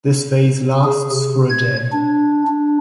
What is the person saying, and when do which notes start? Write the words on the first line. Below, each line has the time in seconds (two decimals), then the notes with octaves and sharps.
This phase lasts for a day.
0.84 G#4
1.13 C3
1.49 G#6
1.93 D4
2.48 D4